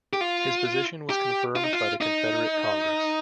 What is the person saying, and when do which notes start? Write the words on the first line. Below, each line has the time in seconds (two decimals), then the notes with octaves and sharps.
His position was confirmed by the Confederate Congress.
0.13 G4
0.21 F4
1.10 G4
1.55 F4
1.64 D#4
1.73 F4
2.01 D#4